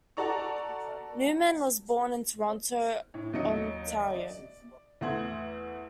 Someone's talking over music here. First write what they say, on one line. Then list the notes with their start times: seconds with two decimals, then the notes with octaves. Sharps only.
Newman was born in Toronto, Ontario.
0.17 F#4 A4 D5 A#5 C#6
3.14 A2
3.33 D#2 F#3 D#5 C#7
4.00 D#5
4.14 D5
5.01 E2 A3 F#5 C6 G#6